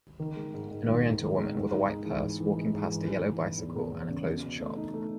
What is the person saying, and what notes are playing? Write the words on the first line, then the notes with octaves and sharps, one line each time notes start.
An oriental woman with a white purse walking past a yellow bicycle and a closed shop.
D#3
G#3
G#2
G#2
D#3
G#2
D#3
G#3
G#2
D#4
G#3
E3
G#2
E3
G#3
G#2
E3
E3
E3
E3
E2
E2
E2
C#3
B2
B2
A3
D#4
A3